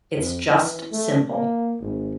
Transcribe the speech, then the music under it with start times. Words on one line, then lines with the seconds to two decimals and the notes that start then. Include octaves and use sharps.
It's just simple.
0.16 F2
0.49 E3
0.92 A3
1.29 A#3
1.81 G#1